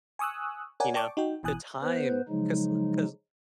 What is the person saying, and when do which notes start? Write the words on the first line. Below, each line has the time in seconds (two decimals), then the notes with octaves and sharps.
you know, the time. 'Cause l 'cause,
0.19 G#5 C#6 D#6 E6 F#6
0.80 A#4 C#5 D5 F#5 G#5
0.94 D5 G5 A5 C#6 D6
1.17 D#4 F#4 G5
1.43 G#1 B2 E3 G#5 D#6 F#6
1.82 B3 B4 C5
2.29 C#3 F3 F#3 G#3 D#4